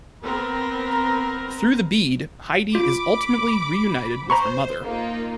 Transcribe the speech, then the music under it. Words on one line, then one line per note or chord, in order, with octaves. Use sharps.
Through the bead, Heide is ultimately reunited her with her mother.
B3 C4 A#4 B4
F4 B5 D6
C5 A#5 B5 C#6
A#3 D#4 F4